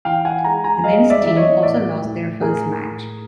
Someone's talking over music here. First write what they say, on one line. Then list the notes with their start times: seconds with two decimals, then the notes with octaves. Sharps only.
The men's team also lost their first match.
0.05 E3 F5 G5
0.25 F#5 G#5
0.44 G#3 G#5 A#5
0.64 G#5 A#5
0.84 G#3 D#5 F5
1.10 D5 E5
1.23 E3 E5
1.36 C#5 D#5
1.63 A2 D5 E5
2.02 A2
2.41 A2 G#4 A#4
2.81 A2